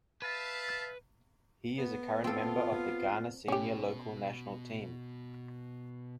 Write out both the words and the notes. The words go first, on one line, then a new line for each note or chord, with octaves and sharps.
He is a current Member of the Ghana Senior Local National Team.
B4 E5 F5 A5
B3
C4 F4 A4
B2 C#4 G4